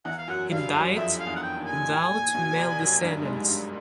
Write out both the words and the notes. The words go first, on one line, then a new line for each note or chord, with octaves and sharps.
He died without male descendants.
E2 E3 F#5
F5
F#2 F#3 F#5
G2 G3 F5
F#2 F#3
F2 F3 E5
F5
E2 E3
F#5
G5
D#2 D#3
G#5
A1 A2
A#1 A#2
B1 B2
C2 C3
F#2 F#3
G2 G3
G#2 G#3
G2 G3